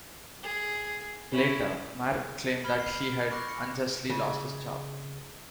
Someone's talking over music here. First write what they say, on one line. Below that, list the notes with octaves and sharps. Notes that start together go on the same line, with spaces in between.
Later, Marr claimed that he had unjustly lost his job.
G#4
C#4 E4
B5 F6 G#6 G7
C7
D7
B5 C#6 D6 F#6 A#6
C#7
C#3